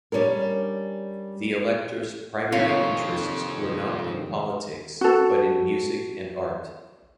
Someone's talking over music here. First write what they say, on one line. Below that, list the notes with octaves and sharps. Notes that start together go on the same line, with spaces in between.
The elector's primary interests were not in politics, but in music and art.
G3 C#4 D4 A#4
F2 C3 D#3 F4 C#5
F#4 A4